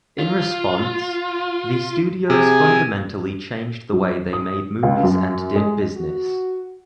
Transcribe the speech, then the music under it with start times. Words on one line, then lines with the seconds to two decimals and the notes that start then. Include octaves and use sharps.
In response, the studios fundamentally changed the way they made movies and did business.
0.19 F4
2.30 C3 G#4 G#5
3.93 F#3
4.33 D#6
4.83 C#2
5.03 F#2
5.56 G#3
5.96 F#4